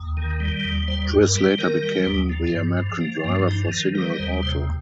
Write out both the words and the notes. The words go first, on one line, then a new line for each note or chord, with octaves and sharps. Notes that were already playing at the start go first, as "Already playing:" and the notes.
Chris later became the American Driver for Signal Auto.
Already playing: D#2
D#3
G3
D#2
G3 C5
G2
A#4
G3
D#3 A#4
G3
D#2
F3
G2
F3
F3 A#3
G2 A#3
F3 D#4
D#3
G3 A#4
A#4
D#2 C5
C3 C5